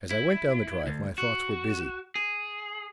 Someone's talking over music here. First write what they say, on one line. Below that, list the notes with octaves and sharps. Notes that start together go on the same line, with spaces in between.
As I went down the drive, my thoughts were busy.
E4
D2
F#4
G#4